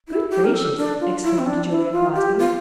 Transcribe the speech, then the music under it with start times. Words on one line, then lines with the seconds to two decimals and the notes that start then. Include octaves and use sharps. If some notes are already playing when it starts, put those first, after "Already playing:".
"Good gracious," exclaimed Julia Crosby.
0.08 E4
0.31 G4
0.45 A#4
0.54 A4
0.77 D4
1.01 F4
1.23 E4
1.39 C4
1.46 D4
1.70 E4
1.92 F4
2.16 G4
2.39 F4